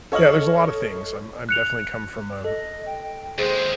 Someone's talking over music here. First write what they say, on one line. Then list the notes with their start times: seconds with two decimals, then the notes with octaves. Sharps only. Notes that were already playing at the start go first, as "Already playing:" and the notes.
Yeah, there's a lotta things. I'm I'm definitely come from a
0.12 A4 C#5 D#5 F6 F#7
1.49 F#6 C#7 F7
2.45 A4 D#5
2.86 G5
3.38 D#2 G#3 G#4 C5